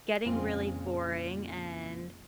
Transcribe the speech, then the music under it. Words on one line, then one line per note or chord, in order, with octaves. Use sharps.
getting really boring, and
F2 A#2 C#3 G#3 C4 F4